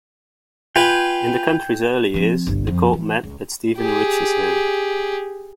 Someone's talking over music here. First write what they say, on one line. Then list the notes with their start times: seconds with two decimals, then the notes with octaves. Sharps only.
In the county's early years, the court met at Steven Rich's home.
0.76 F4 B4 G5 G#5
2.14 F3 C4
2.47 G1 C2
2.67 F2
2.93 E3
3.23 C#2
3.78 G4 G#4